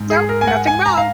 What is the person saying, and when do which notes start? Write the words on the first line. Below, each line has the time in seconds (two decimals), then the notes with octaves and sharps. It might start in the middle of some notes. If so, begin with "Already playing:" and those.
No. Nothing wrong."
Already playing: G#2
0.10 G#4
0.29 A#4
0.41 G#5
0.47 F#5
0.67 G#5
0.86 A#5
0.98 F5